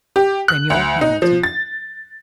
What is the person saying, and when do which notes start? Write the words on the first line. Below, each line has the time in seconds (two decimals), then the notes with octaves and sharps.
Lemuel Hamilton.
0.16 G4
0.48 F#6
0.70 D2
1.01 D#4
1.22 F3
1.43 A6